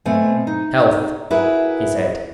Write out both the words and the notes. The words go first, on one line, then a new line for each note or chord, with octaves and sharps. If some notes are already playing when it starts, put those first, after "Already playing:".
"Health," he said.
B2 A3 C4 G#5
D#4
E4 F#4 G#4 A#4 B4 E5